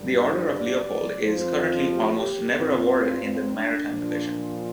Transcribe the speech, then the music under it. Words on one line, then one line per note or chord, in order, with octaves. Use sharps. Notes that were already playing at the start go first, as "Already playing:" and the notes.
The Order of Leopold is currently almost never awarded in the Maritime Division.
Already playing: G2 D3 G3
C5
D5
F2 F3 C5
G4
G2 F3 C4
C4
D4
A#2 F3